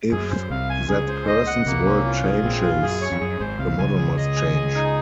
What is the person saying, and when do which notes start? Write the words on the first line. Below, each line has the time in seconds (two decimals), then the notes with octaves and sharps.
If that person's world changes, the model must change.
0.12 F#2 G#4
0.31 C5
0.50 C2 C3 F5
0.70 G#5
0.88 C#2 C#3 G#4
1.08 C5
1.27 D#5
1.47 F#5
1.66 C2 C3 A#3
1.85 C#4
2.05 F4
2.24 G#4
2.43 A#1 A#2 C4
2.62 F4
2.82 F#2 G#4
3.01 C#5
3.12 F2
3.20 F#2 G#4
3.40 G#1 G#2 C5
3.59 C2 C3 F5
3.78 C#2 C#3 G#5
3.98 G#4
4.17 D#5
4.36 G#5
4.55 G#4
4.75 D#4